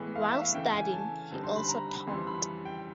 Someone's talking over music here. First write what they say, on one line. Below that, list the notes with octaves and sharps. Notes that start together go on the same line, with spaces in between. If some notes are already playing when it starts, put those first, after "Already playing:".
While studying, he also taught.
Already playing: A2 E3 G#3 B3
F5
E5
F5
C#3 E3 A3 G5
G#5
A5
D3 G3 C4 D#4 A5
C6
B5
A#5
B5
F2 C#3 E3 G3 C6
B5
G5